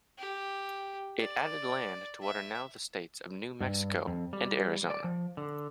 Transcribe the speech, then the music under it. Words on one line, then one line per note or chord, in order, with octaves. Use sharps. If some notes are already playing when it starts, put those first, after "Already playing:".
It added land to what are now the states of New Mexico and Arizona.
G4
D5
E5
G2
F2
G3
D5
F3
D3